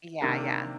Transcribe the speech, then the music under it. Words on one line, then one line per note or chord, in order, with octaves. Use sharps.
Yeah, yeah.
C3 D#3 A#3 D4 G4